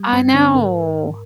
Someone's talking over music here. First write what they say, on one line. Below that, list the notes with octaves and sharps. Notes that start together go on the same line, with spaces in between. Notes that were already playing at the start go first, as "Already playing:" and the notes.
I know.
Already playing: G3
G2 C4
C4
D3 D4
G#2 A#4